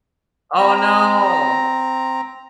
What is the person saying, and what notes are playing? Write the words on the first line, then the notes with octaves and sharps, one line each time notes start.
Oh, no!
C4 A#5